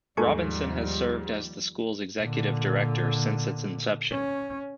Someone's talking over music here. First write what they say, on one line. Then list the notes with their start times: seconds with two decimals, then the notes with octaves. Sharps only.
Robinson has served as the school's Executive Director since its inception.
0.17 D#2 G#2 F3 G3 A4 G#5 C#6
2.19 A#2 D3
4.12 C#4